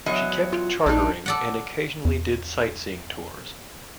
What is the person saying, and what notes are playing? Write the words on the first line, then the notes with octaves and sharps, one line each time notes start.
She kept chartering and occasionally did sightseeing tours.
E2 F#3 D#5
F4
A#1 D4 D#4
A4 D5 F#5
E2